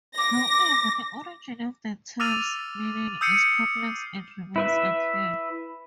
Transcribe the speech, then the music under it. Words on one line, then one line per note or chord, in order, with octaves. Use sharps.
However, the origin of the term's meaning is complex and remains unclear.
D6 A#6
D6 E6 F6 A6 D#7 F7
D#6 E6 G6 C7 C#7 D#7
E4 B4 E5